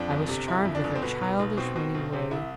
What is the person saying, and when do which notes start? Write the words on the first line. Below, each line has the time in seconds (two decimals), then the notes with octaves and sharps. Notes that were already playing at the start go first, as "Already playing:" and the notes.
I was charmed with her childish, winning way.
Already playing: F2 D4
0.10 G1
0.29 C3
0.48 G1 E4
0.65 F2
0.75 D4
0.84 G1
0.95 C4
1.02 B2 B3
1.21 B1
1.39 B1
1.57 B2 C4
1.76 B2
1.95 B1
2.12 C3 C4
2.31 C2 E4